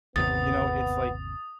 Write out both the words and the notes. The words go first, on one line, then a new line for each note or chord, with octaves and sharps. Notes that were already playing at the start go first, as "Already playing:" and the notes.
you know, it's, like,
G1 D#2 C3 B3 D#6 A6